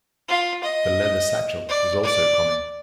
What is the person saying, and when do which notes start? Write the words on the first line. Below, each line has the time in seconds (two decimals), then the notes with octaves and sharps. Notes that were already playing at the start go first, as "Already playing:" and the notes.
The leather satchel is also common.
0.29 F4
0.63 D#5
1.69 D5
2.03 D5